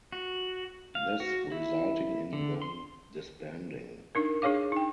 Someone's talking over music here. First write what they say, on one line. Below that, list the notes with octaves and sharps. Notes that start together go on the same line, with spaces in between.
This resulting in them disbanding.
F#4
F5
F#4
E4
D3
C6
D4 D#4 A#4
D4 G#4 C#5 F5 D6
D#4 G5